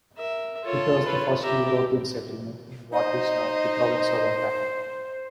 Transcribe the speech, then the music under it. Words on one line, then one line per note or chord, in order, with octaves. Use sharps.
It was the first European settlement in what is now the province of Ontario.
A#4 E5
F4 A4 C#5
B4 C#5
G4 E5 A#5
D#4 C5 D#5